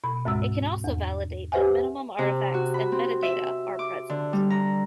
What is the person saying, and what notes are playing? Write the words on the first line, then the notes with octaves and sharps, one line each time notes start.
It can also validate that minimum artifacts and metadata are present.
B2 B5
D2 G#2 G#3 E6
E2
G4 B4 C5 E5 F#5 G#5
C3
F#4
B5
C4
E5
D6
D3
G3
A#5